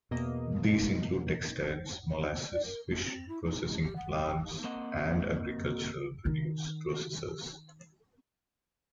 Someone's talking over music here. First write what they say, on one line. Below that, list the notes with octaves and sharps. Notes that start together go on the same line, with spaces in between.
These include textiles, molasses, fish processing plants and agricultural produce processors.
E2 B2 A#3 D#5
D5
A#4
A#3
C4
E4
D#4
G#3
G4
F#5
G5
A#3 C4 D#5 F#5
D#3 D#4